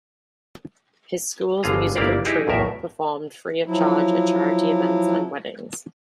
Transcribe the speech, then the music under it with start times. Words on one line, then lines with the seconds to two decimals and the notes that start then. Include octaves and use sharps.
His school's musical troupe performed free of charge at charity events and weddings.
1.63 G1 D3 F4 G#4 A#5
1.96 G1 A#3 E4 G4 D5 F5
2.25 D#4 E4 G4 G#4
2.47 B1 E2 A2 A#4 E5
3.66 F3 F#3 E4